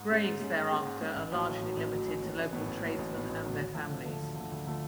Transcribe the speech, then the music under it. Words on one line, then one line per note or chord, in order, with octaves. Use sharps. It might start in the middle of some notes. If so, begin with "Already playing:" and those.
Graves thereafter are largely limited to local tradesmen and their families.
Already playing: G#2
G#3 C#4 G#4
G#2
G#3 C#4 G#4
G#2
G#3 C#4 G#4
G#2
G#3 C#4 G#4
A1
A2 F#3
A1
A2 F#3
A1
A2 F#3
A1
A2 F#3
A1
A2 F#3 B3
A1
A2 F#3 B3
A1
A2 F#3 B3
A1
A2 F#3 B3
D2
D3 F3 A3
D2
D3 F3 A3
D2
D3 F3 A3
D2
D3 F3 A3